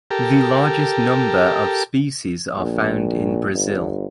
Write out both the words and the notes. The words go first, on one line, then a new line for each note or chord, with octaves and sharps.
The largest number of species are found in Brazil.
G4 A4 A#4
A#1
G1